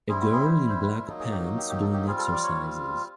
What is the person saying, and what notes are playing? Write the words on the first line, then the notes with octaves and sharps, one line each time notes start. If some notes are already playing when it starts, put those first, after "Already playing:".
A girl in black pants doing exercises.
G3 C4 E4 G#4
F#4
G#4
C5
C5
B4
A#4
F#3 A#3 D#4 A4
G#4
G4
F#4
G4
G4
A4
G4
G3 C4 F4 G#4
A4
D5
C#5